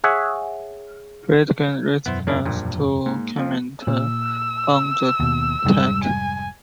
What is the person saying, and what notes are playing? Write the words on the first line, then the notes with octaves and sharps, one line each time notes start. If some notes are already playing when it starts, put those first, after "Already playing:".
Friedkin refused to comment on the attack.
G#4 C#5 E5 F#5
E1 F#2 B3 E4 C5
A#3 D4 E4
A#1 G2 A#2
G#2 A#3
F2 F3
A#2 E6
D#2 B2
F1 G#2 G3
G#5